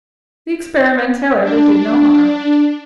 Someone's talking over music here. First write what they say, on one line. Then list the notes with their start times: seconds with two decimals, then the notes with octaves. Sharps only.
The experiment, however, did no harm.
1.42 D4